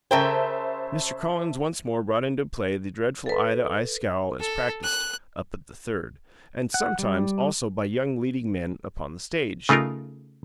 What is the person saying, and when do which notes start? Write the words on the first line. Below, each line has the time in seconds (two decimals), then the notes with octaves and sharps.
Mr. Collins once more brought into play the dreadful eye-to-eye scowl as practised "up at the Third," and, sometimes, also by young leading men upon the stage.
0.11 C#3 A#4 C5 E5 G5 A5
3.26 A4 B4
4.40 A4
4.83 F#6
6.74 F#5
6.99 G3
9.69 C#3 A3 D#4 F4 A#4